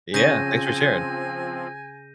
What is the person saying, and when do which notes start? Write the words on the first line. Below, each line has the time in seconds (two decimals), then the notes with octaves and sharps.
Yeah, thanks for sharing.
0.14 C#3 F3 C4 G#5 G6 A#6 D#7